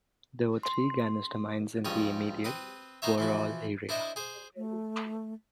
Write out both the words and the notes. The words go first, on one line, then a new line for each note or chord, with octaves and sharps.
There were three ganister mines in the immediate Worrall area.
C6
C#2 G2 F3 C#5 D#6
C4 B4 D#6
B3 D#4 C5 C#5 E5
E3 F3 F#4
D4 E4 C5 D#5 E5
G#4 C5
A3